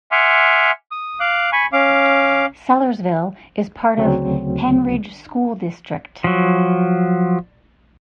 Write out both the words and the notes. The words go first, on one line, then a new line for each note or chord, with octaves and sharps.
Sellersville is part of Pennridge School District.
E5 F#5 G#5 C6 D6 F6
D#6
F5 D6 F#6
G#5 B5 C#6
C#4 F5 D6
D2 C#3 F#3 C4
F3 F#3